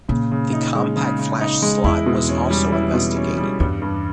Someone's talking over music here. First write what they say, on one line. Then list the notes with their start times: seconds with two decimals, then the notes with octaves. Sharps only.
The CompactFlash slot was also investigated.
0.08 A#2 C#3
0.32 C#3
0.53 D#4
0.75 G#3
0.96 C#3
1.19 C#3
1.41 D#4
1.62 G#3
1.84 E2 E4
2.06 B2
2.29 C#4
2.50 G3
2.72 E4
2.93 B2
3.16 C#4
3.37 G3
3.60 E2 G2
3.82 G2